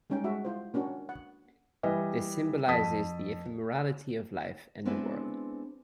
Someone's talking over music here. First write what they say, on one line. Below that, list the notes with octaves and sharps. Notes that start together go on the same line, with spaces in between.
This symbolizes the ephemerality of life and the world.
G3 G#3 C#4 D#4 G5
G#3 F#4 E5
E4 F4 C5
A#3 C#4 D4 F#4
F#5
E3 G3 B4 D#5
F2 A5 D#6 B6
G#3 B3 C4 D4 E4 B4